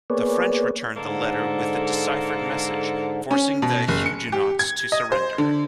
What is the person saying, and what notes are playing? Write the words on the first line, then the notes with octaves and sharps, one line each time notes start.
The French returned the letter with the deciphered message, forcing the Huguenots to surrender.
A#3 B3 G#4 B4 C#5 D5
G#2 D3 G#3 A#3 A4
C#4
B2
F#1
C#7
G4
G#6
D#5
C5
D3